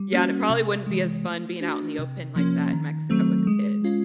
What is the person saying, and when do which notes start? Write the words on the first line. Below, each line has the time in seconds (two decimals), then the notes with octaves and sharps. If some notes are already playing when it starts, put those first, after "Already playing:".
Yeah, and it probably wouldn't be as fun being out in the open like that in Mexico with a kid.
Already playing: G3
0.13 A#3 C#4 F#4
0.50 C3
0.87 E3 G#3
1.24 A3
1.61 D4 F#4
1.99 C3
2.36 F3 A#3 C#4
2.73 D#3
3.10 F#3 A3 C4
3.47 G#3
3.84 C#4 F4